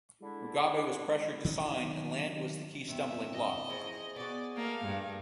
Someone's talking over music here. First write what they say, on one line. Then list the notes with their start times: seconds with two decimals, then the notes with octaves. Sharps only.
Mugabe was pressured to sign and land was the key stumbling block.
0.21 D3 G#3 D4 E4
1.45 D#3 F#3 C#4
2.88 E2 G2 C3 E5
3.32 D#5
3.70 F3 C#4 E4 G#4
4.16 B3 F#4 D5
4.57 A3 A#3 F5
4.86 G2